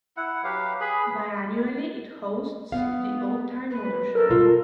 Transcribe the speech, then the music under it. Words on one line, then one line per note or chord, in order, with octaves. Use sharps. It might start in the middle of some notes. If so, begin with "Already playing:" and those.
Bi-annually, it hosts the Old Time Motor Show.
E4 F#5
F#3 G4 B4 F5
G#4 B4 B5
B3 F5
B4
A4 A#4
B2 F4